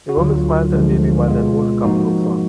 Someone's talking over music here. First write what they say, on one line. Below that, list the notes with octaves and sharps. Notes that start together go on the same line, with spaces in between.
A woman smiles at a baby while an older couple looks on.
F#4
D2 D3 F#3 F4
D2 D3 F3 G#3
B2 G#3 B3 F4
G#2 F3 A#3 D#4 F#4